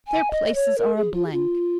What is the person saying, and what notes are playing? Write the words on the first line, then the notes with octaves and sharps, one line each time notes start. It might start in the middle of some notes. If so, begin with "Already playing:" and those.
Their places are a blank.
G#5
D#5
C#5
A#4
G#4
F4
G#4
F4